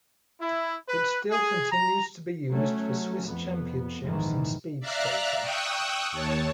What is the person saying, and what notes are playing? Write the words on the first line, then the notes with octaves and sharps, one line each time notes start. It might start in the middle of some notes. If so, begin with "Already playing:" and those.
It still continues to be used for Swiss Championships in speed skating.
E4
B4
G#4
A#5
F#3 A3 C#4
F2 B3
F1 A#1 G#2 D#3 E3
D5 E5 F5 A#5 F6 F#6
G5 C#6 D#6 E6 F#6
D#2 C#5 A5